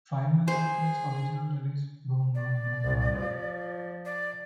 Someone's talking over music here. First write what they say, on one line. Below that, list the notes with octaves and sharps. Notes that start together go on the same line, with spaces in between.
Five months after its original release, Boom, Boom, Boom, Boom!!
G#4 C5
D5
C2
F3
D5